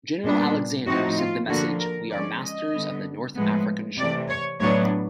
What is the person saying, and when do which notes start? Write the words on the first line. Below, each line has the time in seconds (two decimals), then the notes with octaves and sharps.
General Alexander sent the message, We are masters of the North African shore.
0.24 A#2 G3 B3 D4
0.86 A2 F3 A3 C4 D#4 F#4
1.18 F4
1.49 D3 F3 A#3 F#4
1.80 A#4
2.11 F3 G#3 C#4 D5
2.42 D#5
2.74 D3 G3 B3
3.35 A2 F3 G#3 B3
3.97 C3 E3 A3 D5
4.29 C#5
4.60 A2 F#3 B3 D4 C#5